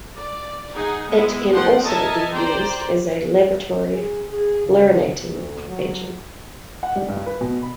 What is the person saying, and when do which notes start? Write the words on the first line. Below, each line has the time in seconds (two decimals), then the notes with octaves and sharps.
It can also be used as a laboratory fluorinating agent.
0.16 D5
0.73 D#4 G#4 F#5
1.09 G#3 B3 E4
1.52 F3 A3 B3 F#5 G5 C6
1.82 A4 A#4 D#5 E5 G#5 A5
2.33 C5 D5 G5 A#5 C6
3.90 G#4
4.29 G#4
4.66 C#3
5.32 D2
5.68 F#3
6.83 F#5
6.96 G3
7.08 G2
7.26 B4
7.41 B2
7.62 B5